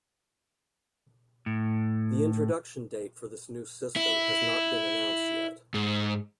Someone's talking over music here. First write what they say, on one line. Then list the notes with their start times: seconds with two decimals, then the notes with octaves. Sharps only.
The introduction date for this new system has not been announced yet.
1.46 A2
3.96 E4
5.74 G#2